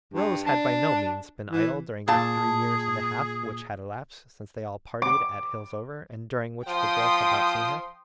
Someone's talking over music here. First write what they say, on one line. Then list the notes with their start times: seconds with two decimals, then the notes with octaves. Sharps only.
Rose had by no means been idle during the three years and a half which had elapsed since they all parted at Hillsover, and during which the girls had not seen her.
0.14 G2
0.46 D4
1.51 E3
2.08 A#2 G#4 A5
5.02 D6
6.67 F3 G5 C6 D#6